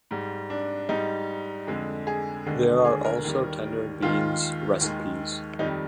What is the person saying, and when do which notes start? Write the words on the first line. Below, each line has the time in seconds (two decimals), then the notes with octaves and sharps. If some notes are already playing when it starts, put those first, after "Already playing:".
There are also tender beans recipes.
0.11 G#2 G3
0.50 D4
0.89 G#2 G3 D#4
1.67 F2 D3 G#3
2.07 G#4
2.46 D#2 D3 G#3
2.85 G#4
3.04 A#4
3.24 D#2 D#3 G3
4.02 D#2 D#3 G#3 F4
4.81 D#2 D#3 G#3
5.59 F2 D#3 G3 D#4